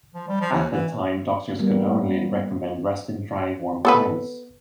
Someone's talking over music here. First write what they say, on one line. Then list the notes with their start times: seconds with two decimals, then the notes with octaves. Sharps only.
At the time, doctors could only recommend rest in dry, warm climates.
0.15 F3
0.28 G3
0.40 F3
0.53 D#2
0.71 E3
1.59 G3 A#3 B3
3.85 B3 A4 B4